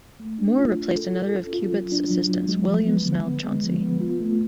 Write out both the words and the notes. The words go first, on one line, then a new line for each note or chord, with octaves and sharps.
Moore replaced another of Cubitt's assistants, William Snell Chauncy.
A3
D4
F4
F4
A4
A4
C#4
F4
F#3
D4
F#3
F#3
G#3
F3
B3
D3
B3
G#3
F3
B3
F4
A3